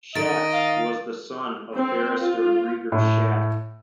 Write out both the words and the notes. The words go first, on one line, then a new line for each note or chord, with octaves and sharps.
Schack was the son of barrister Gregers Schack.
D#3 D#5 A6 D7
F5
C4
F4
A2